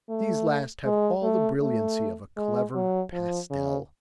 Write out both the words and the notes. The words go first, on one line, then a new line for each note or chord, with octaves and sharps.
These last have all the brilliancy of a clever pastel.
A3
G#3
A3
A3
G#3
F#3
F3
C#3